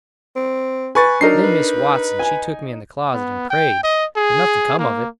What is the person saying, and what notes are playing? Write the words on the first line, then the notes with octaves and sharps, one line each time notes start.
Then Miss Watson she took me in the closet and prayed, but nothing come of it.
C4
B4 G#5 C#6 A6
F#3 D4 D#4 A#4 C7
B4
G#5
B3
G5
D#5
G#4
A#3